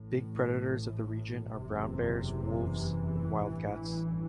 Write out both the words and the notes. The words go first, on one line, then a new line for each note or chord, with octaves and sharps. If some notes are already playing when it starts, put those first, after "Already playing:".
Big predators of the region are brown bears, wolves and wildcats.
Already playing: A1 A2
F#1 E2 C3
E3
A1 G2